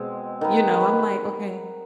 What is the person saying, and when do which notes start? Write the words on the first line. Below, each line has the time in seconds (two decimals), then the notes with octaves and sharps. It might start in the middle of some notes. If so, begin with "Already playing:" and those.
You know, I'm like, "Okay."
Already playing: B2 G#3 C4
0.41 D#3 B3
0.81 B4